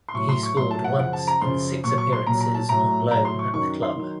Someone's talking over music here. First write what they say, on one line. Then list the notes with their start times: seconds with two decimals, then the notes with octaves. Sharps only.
He scored once in six appearances on loan at the club.
0.09 C6
0.14 A2 F#3 C#6
0.29 C6
0.43 C#6
0.57 A2 F#3 C6
0.71 A5
0.84 F#5
0.99 F#2 C#3 F3 F#5
1.13 A5
1.28 A#5
1.41 F#2 C#3 F3 C6
1.84 A#2 F#3 C#6
1.98 C#6
2.13 C6
2.27 A#2 F#3 A#5
2.41 A#5
2.54 A5
2.69 A2 F#3 A#5
3.11 A2 F#3 A#5
3.25 C6
3.39 C#6
3.54 F#2 D#3 F#3 C#6
3.83 C6
3.96 D#3 F#3